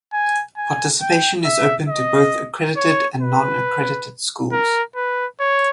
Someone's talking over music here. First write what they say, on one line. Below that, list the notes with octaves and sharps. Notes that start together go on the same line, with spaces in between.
Participation is open to both accredited and non-accredited schools.
G#5
G#5
G5
E5
D#5
C#5
B4
A#4
B4
C#5